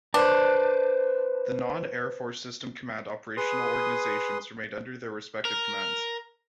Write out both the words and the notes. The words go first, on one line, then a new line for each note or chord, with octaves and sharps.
The non-Air Force System Command operational organizations remained under their respective commands.
D4 B4 C5
G#4 B4 C6 D#6
A#4